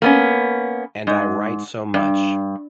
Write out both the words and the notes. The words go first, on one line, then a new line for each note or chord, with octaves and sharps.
And I write so much.
A#3 B3 C#4
G#2
G2